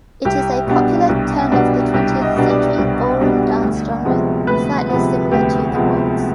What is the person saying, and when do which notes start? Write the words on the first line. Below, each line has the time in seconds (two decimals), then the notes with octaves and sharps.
It is a popular turn-of-the-twentieth-century ballroom dance genre slightly similar to the waltz.
0.25 C2 G4
0.67 B2 G3 B3 D4
1.09 C2
1.52 B2 G3 B3 D4
1.94 C2 G4
2.22 D#5
2.36 B2 G3 B3 D4
2.50 D5
2.78 C2
3.20 B2 G3 B3 D4
3.63 D2
4.05 C3 F3 G#3 B3
4.47 D2 B4
4.89 C3 F3 G#3 B3
5.31 D2 G4
5.75 C3 F3 G#3 B3